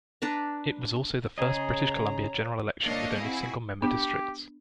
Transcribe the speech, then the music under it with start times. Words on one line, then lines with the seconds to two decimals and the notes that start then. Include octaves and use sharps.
It was also the first British Columbia general election with only single-member districts.
0.22 D4 B4 A#5
1.38 C#3 G#4 C#5 D#5 A#5
2.85 A#3 D4 A4 C#5 D#5 F5
3.20 C4 E4 F#4 G#4
3.82 B3 D4 G4